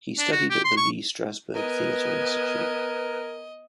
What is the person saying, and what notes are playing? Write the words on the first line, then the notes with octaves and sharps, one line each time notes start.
He studied at the Lee Strasberg Theater Institute.
D4
F#4
G4
C6
C#6
B3 A#4 B4 D#5 G#5